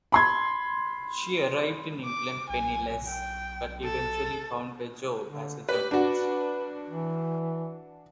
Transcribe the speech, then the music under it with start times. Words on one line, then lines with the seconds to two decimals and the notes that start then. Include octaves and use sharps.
She arrived in England penniless, but eventually found a job as a journalist.
0.12 B5 C6 G#6
2.04 D6
2.50 B1 G#5
3.06 G5
3.84 A4
5.27 D3
5.69 G4 B4
5.91 D4 F#4 B4
6.89 E3